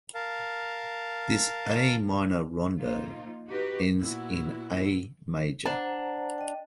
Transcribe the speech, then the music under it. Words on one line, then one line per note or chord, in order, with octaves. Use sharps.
This A minor rondo ends in A major.
A#4 F5 A5
F3 A#3 D#4 F4
D#4 F#4 G4 B4
A#2 B3 E4 F#4
D4 C5 F#5 A#5
D#5 G5